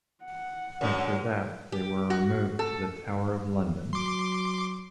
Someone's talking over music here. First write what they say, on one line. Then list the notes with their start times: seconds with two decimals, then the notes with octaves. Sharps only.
After that, they were removed to the Tower of London.
0.25 F#5
0.81 F#2 D3
1.72 G4
2.10 F#4
2.59 A4
3.93 F#3 C6 D6